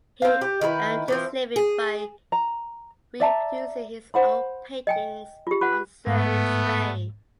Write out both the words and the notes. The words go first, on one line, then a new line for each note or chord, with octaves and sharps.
He earned his living by reproducing his own paintings on serving trays.
C4 F5
G4
D#3 E4 G#4 B4
E3 F3 C4
G#4
A#5
D5 E5 A5 A#5
C5 F#5 B5
D#5 G5 G#5
F4 G4
F4 B4 F#5
G#2 A3 B3